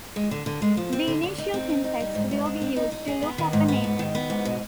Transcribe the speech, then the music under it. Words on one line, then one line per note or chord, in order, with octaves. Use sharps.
The initial context will be used to look up a name.
G#3
D3
D3
G#3
F3
C4
D3
D3
D#4
C4
D#4
D#4
G3
G#2
G#2
D4
C4
D#4
D#4
G#4
B3
D#3
G#2
B3
G#2
D#3
B3
G#2
B2